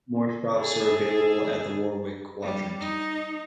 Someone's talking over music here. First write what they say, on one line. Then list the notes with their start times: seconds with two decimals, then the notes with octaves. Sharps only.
More shops are available at the Warwick Quadrant.
0.56 G#4 A4
2.42 G3
2.80 D#4